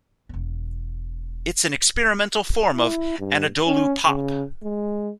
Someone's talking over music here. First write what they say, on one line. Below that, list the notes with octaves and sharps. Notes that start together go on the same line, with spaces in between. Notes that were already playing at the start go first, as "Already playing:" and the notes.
It's an experimental form of "Anadolu Pop".
E1 B3
E4
G2
C#4
C#3
G#3